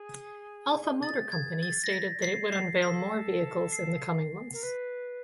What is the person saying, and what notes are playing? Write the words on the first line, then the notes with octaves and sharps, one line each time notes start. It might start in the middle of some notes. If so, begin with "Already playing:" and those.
Alpha Motor Company stated that it would unveil more vehicles in the coming months.
Already playing: G#4
A6
G#6
A6
A#6
B6
C7
C7
A4 B6
C7
A#4
B4